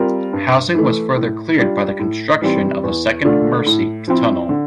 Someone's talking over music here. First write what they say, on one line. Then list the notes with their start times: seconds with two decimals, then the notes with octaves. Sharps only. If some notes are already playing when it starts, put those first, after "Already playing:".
Housing was further cleared by the construction of the second Mersey tunnel.
Already playing: G3 C4 F4 A#4
0.33 G2
0.75 E3 A3
1.16 A2
1.58 G3 D4 F4
1.99 A2
2.42 E3 G3 C4
2.83 E2
3.25 D3 A3 D4 F4
3.66 A2
4.08 F3 C4 E4
4.49 D3